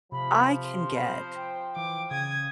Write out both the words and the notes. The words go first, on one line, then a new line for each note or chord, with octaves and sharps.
I can get
C3 F3 B5
C6
C5 B5
G5
E3 D6
C#3 D#6 G#6